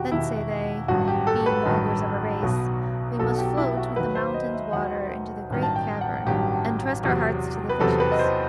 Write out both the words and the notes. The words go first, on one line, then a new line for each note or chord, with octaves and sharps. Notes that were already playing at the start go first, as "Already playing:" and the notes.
Then, say they, being Mulgars-of-a-race, we must float with the mountain-water into the great cavern, and trust our hearts to the fishes.
Already playing: E1 D#2 D#3 F#4 G4
E1 D#2 D#3 E4
A1 G2 D#3 F#3 F#4
G4
A4
B4
A1 G2 D#3 F#3
B1 B2 F#3
B1 B2 F#3 A4
G4
E4
F#4
D#2 D#3 F#3 B4
C5
D#5
E5
D#2 D#3 F#3 F#5
A1 G2 D#3 F#3
A5
G5
F#5
A1 G2 D#3 F#3 G4
E2 C3 F#3
B4
E2 C3 F#3 A4
B4
D#5
C5